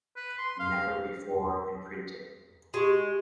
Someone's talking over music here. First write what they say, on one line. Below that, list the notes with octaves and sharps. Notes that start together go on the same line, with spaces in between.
Never before Imprinted.
B4
C6
F5
G#3 F#4 G4